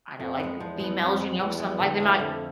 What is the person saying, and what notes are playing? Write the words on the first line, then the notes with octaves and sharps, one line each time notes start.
I know, like, females, you know, some like, they might
F2 F3
G#3 B3
E2 F3
G#3 B3
F2 F3
G#3 B3
E2 F3
G#3 B3
D3
A3 E4
F2 D3